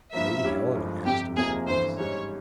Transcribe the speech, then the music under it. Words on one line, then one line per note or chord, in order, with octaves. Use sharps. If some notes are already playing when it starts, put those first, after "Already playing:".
Lady Helena asked him about this.
G2 F3 A#3 E5
G2 G3 C#4 E4 G4
G1 G2 F3 G#3
G1 F2 C3 G4
F1 F2 C3 F3 A#3 G#4
G1 G2 E3 C5
G#2 G3 C#4 C#5